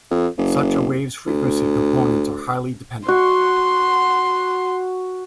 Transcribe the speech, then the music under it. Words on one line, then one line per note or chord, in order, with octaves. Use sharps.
Such a wave's frequency components are highly dependent.
F2
F#1
D2
F#4 C6